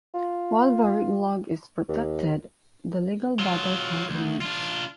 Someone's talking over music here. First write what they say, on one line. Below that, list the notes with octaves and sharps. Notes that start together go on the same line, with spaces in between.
While VarigLog is protected, the legal battle continues.
F4
D#2
F#3 F4
D2
D4 F4